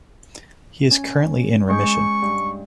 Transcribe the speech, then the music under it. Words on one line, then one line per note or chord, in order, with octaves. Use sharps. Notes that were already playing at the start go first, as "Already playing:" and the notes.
He is currently in remission.
C#4
G#3 C#6 G6
G2